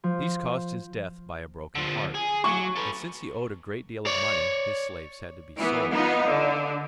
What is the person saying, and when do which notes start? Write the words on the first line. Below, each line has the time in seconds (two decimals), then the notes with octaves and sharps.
These caused his death by a broken heart, and since he owed a great deal of money his slaves had to be sold.
0.04 F3
1.75 D3 F3
2.14 G#4
2.44 F#3 C#6
2.76 A4 B4
4.06 C#5 D5
5.57 E3 B3
5.90 B3 D#4 F4
6.27 D3